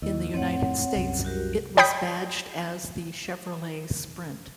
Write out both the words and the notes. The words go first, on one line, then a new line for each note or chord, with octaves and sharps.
In the United States, it was badged as the Chevrolet Sprint.
D#2 E4 D#5
F2 A2 C4 C#5 F#5
C2 F#2
F#4 G4 A#4
C#5 G5 B5 D#6 G6 B6